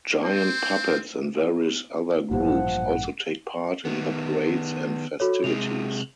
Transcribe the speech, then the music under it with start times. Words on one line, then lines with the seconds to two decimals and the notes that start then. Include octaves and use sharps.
Giant puppets and various other groups also take part in the parades and festivities.
0.25 C4 C5
2.31 A1 G2 A#2 F3 F#5
3.85 D#3 B3
5.20 F#4 A4 C#5
5.44 C3 G#3 F7